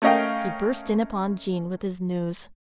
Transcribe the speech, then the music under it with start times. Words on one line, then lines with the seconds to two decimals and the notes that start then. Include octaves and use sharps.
He burst in upon Jean with his news.
0.02 A3 C#4 A#4 D#5 F5 G5